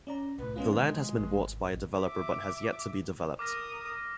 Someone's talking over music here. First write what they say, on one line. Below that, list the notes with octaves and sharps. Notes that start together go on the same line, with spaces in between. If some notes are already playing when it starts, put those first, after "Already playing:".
The land has been bought by a developer but has yet to be developed.
C#4 D5 A#5
C2 A2 B4
G#3 B3 C#4 F4
D#3 F4
G#1
A1
E5 D6
A#4 D6 D#6 F6 A#6